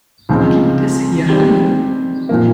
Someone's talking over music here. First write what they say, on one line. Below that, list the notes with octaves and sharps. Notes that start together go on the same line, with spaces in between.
Gibt es hier Haie?
C#2 C#3 F3 C4 D#4
D#3 G3 C4 G4
A#2 F3 A#3